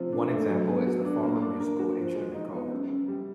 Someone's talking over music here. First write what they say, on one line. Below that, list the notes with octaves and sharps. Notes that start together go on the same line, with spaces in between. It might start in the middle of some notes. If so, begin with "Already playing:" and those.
One example is the Farmer Musical Instrument Co!
Already playing: C3 F3 A3
D4
A3
F#3
B3
F#4
D4
A#3
D4
A#4
F#4
F3
G#3
D#4
B3
F#2
C#3
G3